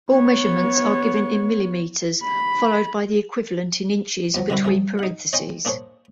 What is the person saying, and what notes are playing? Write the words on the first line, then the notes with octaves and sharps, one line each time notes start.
All measurements are given in millimeters, followed by the equivalent in inches between parentheses.
B3 C#5
B5
D#2 F3 F#3
D3 D#3 G3 C4 E4 F#4
C3 G3 A3 G#4
D#4 F#5
C#5 D#5 G5 G#5 C6
A#3 D4 G#4 C5 C#5